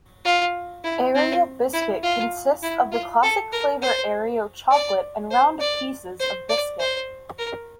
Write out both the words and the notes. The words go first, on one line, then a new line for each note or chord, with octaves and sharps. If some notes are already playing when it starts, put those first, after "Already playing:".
Aero Biscuit consists of the classic flavour Aero chocolate and round pieces of biscuit.
F4
E4
C4
E4
F4
E4
F4
A4
A#4
C5
D5
C5
D5
C5
D5
C5
A#4